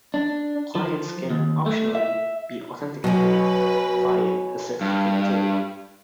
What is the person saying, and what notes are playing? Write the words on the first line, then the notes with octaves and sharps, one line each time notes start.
Clients can optionally be authenticated via a certificate too.
D4
F3
D#2
A3
E5
B2 F#3 C#4 F#4 B4
G2